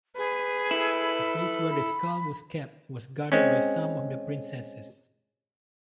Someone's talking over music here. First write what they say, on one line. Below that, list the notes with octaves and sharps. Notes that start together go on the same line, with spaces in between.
The place where the skull was kept was guarded by some of the princesses.
G#4 B4
E4 A4
B5
G#3 C4 C#4